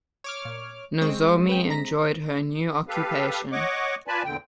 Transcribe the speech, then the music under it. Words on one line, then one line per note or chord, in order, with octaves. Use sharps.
Nozomi enjoyed her new occupation.
C#5 D6 F6
A#2
G#3 C4 D#5 C#6
B4 G5
A#5 A#6 B6
G4 A4 B4 F5
C#5 D#5 F#5 C#6 D6
F4 B4 D5 G#5 A5 B5
E2 A#2 D3 G5